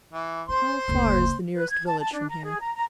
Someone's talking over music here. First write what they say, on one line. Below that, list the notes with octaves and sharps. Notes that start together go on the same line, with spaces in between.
"How far is the nearest village from here?"
E3
C#4 C5 C6
F#1 D2
B4
G#6
A5
A5
D4
A#5
G#4
A#5
A#5